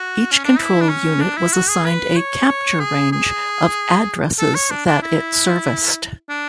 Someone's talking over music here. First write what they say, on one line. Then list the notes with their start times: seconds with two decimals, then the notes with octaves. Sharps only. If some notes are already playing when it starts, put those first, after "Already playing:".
Each control unit was assigned a "capture range" of addresses that it serviced.
Already playing: F#4
0.32 C#4
0.44 D4
0.58 E4
0.81 D4
0.89 C#4
1.21 D4
1.37 E4
1.53 F#4
1.69 G#4
1.85 B4
2.16 C#5
2.48 C#5
2.80 G#4
3.12 G#4
4.39 A4
4.55 C#5
4.71 D4
4.87 D4
5.02 E4
6.29 D4